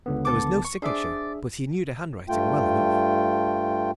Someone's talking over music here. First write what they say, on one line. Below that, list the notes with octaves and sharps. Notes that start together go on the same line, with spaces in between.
There was no signature, but he knew the handwriting well enough.
C#2 D3 B3
A4 A5 D6
C#6
D4 G#4 C5 D5 E5
G2 A3 F4 G5